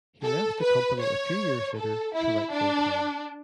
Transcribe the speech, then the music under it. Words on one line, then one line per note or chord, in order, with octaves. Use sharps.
He left the company a few years later to write full-time.
A4
B4
C#5
A4
E4
D4